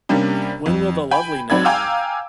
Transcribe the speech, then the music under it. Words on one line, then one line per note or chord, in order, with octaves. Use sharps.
When will the lovely 'now!
C3 G3 A#3 C#4 D4
F2
G5 G#5 B5
F#3 C4 D5 B5 G#6
F5 G5 G#5 A#5 D6 E6